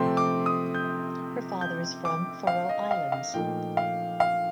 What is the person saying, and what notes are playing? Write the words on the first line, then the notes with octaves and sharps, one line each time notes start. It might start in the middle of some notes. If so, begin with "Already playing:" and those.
Her father is from Faroe Islands.
Already playing: C3 F3 A3 C4 C6
D6
D#6
G6
G6
D6
F5
D#5
F5
F5
A#2 F3 A3 D#4 G5
F5
F5